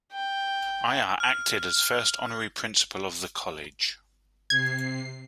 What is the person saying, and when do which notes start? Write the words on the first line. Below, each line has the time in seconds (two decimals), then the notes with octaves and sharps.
Aiyar acted as first honorary principal of the college.
0.13 G5
1.20 F6
4.50 C3 G#6 C7